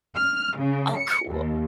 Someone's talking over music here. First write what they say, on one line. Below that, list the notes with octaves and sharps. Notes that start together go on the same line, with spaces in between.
Oh, cool.
F6
C#3
C#7
D#2